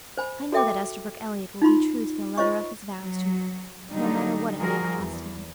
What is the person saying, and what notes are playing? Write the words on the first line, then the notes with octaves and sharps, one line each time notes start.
I know that Esterbrook Elliott will be true to the letter of his vows to me, no matter what it may cost him.
C5 G#5 B5
F#4 A4 E5 G5 D6
D#4 F4 B5 C6
F4 C5 C#5 D#5 C#6
F#3
D3 F#3 G3 D#4
F3 G3 F#4 G#4 A#4
E2